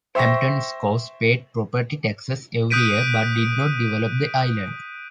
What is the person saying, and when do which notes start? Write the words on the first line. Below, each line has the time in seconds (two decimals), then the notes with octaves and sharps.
Hampton Scows paid property taxes every year but did not develop the island.
0.15 C5 E5 G5 C#6 A#6
2.70 D#6 F#6 G6 B6 D7 D#7